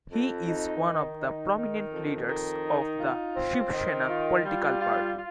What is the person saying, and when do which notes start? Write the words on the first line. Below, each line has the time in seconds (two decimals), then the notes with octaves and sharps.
He is one of the prominent leaders of the Shiv Sena political party.
0.12 F2
0.48 D#4
0.84 D#3
1.20 D#4
1.55 D#3
1.92 F2
2.28 D#3
2.65 D#4
3.00 F4
3.35 C4
3.72 D#3
4.08 F4
4.44 G3
4.80 F4
5.15 F4